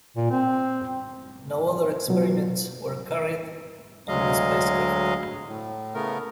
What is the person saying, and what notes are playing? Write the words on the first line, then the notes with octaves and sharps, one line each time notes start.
No other experiments were carried on the spacecraft.
A#2
C4
B2 F#3 F4
D2 F#3 G#3 D#5 F5
A2
C#3 A3 B3 A#4